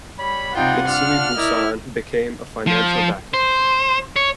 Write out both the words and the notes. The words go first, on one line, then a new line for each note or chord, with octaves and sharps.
Mitsui Bussan became a financial backer.
G3 C#5 B5
C3 G3 D#4 F4 F#5 G5
D4 F4 F6 F#6
E4 A#4 D5 D#5
F3
C5
C#5